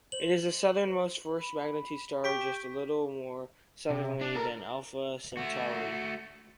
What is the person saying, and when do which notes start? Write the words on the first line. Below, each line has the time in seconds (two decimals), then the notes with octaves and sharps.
It is the southernmost first-magnitude star, just a little more southerly than Alpha Centauri.
0.12 C5 F#7
1.38 B5
2.24 G4 C#6 G6 B6 D7
3.90 C3
4.21 D4
4.35 A4 A#4
5.37 A3 F#4